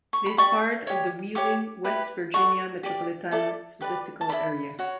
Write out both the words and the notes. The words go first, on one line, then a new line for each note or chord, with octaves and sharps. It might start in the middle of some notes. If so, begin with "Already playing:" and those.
It is part of the Wheeling, West Virginia Metropolitan Statistical Area.
C#6
B5
G4 D5 C#6
G4 C#5
G4 C#5 D6
E4 G4 B4
F#4 A4 D5 C#6
G4 D5
E4 A4 D5
G4 B4 D5
A5
E4 A4 D5 B5
F#4 C#5